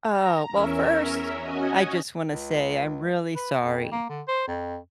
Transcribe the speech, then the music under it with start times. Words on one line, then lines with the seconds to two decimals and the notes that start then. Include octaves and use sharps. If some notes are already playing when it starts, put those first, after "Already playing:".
Oh. Well, first, I just wanna say I'm really sorry.
0.11 A#5
0.51 E2 C#4 A#4 E5
1.39 C#4 F#4 D#5 G#5
2.30 C#2
3.35 B4
3.59 F2
3.92 A#3
4.09 D3
4.28 C5
4.47 F2